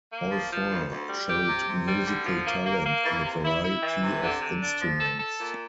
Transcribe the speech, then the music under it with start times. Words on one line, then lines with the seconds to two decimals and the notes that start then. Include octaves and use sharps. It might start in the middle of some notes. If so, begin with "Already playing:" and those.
All four showed musical talent on a variety of instruments.
0.11 A#3
0.30 F3
0.50 F3
0.70 D2
0.89 D2
1.09 G3
1.28 G4
1.48 C3
1.68 C3
1.87 G3
2.07 D3
2.26 F3
2.45 A#3
2.65 A#3
2.85 A#3
3.04 E3
3.24 C3
3.44 E4
3.63 E4
3.83 E3
4.02 C3
4.22 D3
4.41 D3
4.61 D4
4.80 F3
5.00 A4
5.19 A4
5.39 A#2